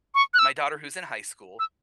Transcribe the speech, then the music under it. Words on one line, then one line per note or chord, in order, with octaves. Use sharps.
my daughter who's in high school
C#6
F#6
E6
E6